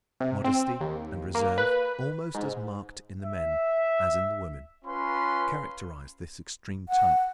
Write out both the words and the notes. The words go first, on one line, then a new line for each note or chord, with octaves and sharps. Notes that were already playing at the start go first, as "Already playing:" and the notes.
Modesty and reserve, almost as marked in the men as in the women, characterize this extreme type.
C3
C4
D#2
A#3
B4
G#2
E5
C#4 F4 B4 C6
F#5